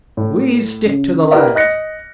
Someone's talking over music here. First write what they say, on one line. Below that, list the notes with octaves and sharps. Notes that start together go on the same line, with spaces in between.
We stick to the last.
A2
C#3
E4 G4 A#4 B4 D5 E5
D#5 F#6 A#6 C#7